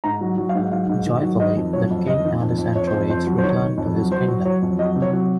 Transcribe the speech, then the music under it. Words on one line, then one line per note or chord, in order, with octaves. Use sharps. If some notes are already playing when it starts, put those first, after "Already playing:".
Joyfully, the king and his entourage return to his kingdom.
G#2 A#5
F#3
F#3
F5
G#2
F#3 F5
G#2
D#3
F#3
D#3 D#5
F2
F#3 C#5
F2
F2 D#5
D#3
F2
F2
F2 C#5
C5
F2
F2 C5
F#3
C5
D#3 C#5
D#3
F2
F#3
F#3 C5
F#3
F#3 C#5
F2
F#3 D#5
C3
C#5
F#3